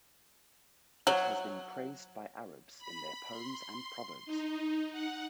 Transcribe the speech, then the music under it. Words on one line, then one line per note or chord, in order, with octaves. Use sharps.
It has been praised by Arabs in their poems and proverbs.
F#3
B5
C6
D#4
F#5